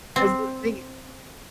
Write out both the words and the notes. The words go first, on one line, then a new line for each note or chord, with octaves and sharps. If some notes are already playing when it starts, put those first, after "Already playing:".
'Cause the thing
C4